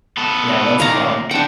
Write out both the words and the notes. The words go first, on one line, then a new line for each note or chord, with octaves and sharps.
Yeah, let's go.
B3 A4
D#2 A#2 F5 A#5
D4 F#5 G5 A5